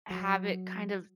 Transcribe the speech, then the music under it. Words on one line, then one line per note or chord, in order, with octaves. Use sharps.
Have it, kind of
F#3